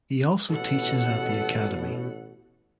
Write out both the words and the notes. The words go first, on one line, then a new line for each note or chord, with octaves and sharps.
He also teaches at the academy.
A1 B2 A4 F#5